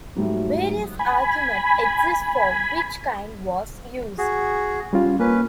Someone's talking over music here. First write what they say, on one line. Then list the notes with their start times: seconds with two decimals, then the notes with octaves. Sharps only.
Various arguments exist for which kind was used.
0.16 G#2 F#3 G3 A3
0.99 G#5 B5
4.18 F#4 G#4
4.93 G3 C#4 F4
5.20 A#3 C#4 B4